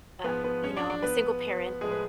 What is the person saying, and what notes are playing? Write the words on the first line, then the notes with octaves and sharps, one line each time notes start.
uh you know, I'm a single parent
G#2 F3 B3 B4
B3 B4
C#4 C#5
D4 D5
D4 D5
B3 B4
A2 F3 G#3 G#4
B4